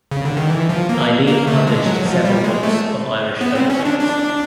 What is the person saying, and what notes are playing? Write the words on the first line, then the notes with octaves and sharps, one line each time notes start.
Eileen published several books of Irish folk-tales.
C#3
D3
D#3
E3
F3
A#3
A#3
A3
G#3
F#3
F3
G3
G#3
A3
B3
C4
C#4
D4
D4